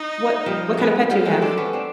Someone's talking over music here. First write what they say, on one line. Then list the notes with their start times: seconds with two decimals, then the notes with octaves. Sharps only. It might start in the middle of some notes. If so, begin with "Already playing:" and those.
what what kinda pet do you have,
Already playing: D#4
0.46 F3 G3
0.78 F#3 G#3
1.09 F3 G3 A4
1.25 F#3 G#3
1.42 C4 D4
1.57 B3 C#4
1.73 C4 D4